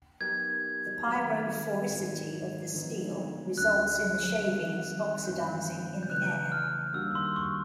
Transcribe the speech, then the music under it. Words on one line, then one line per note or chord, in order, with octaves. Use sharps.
The pyrophoricity of the steel results in the shavings oxidising in the air.
F#3 B3 D#4 G4 A#4 G#6
D#3 F#3 A3 C4
G#2 D#3 F#3
D3 F3 G#3 B3 D#4
D2 D3 F#3 A3 C#4 F#6
D#3 G3 C4 D#4
G2 D#3 G#3 C4 E4 G6
G6
C#3 E3 A3 F#6
F6
D#3 G3 A#3 D4 F#4 E6
C6
C#6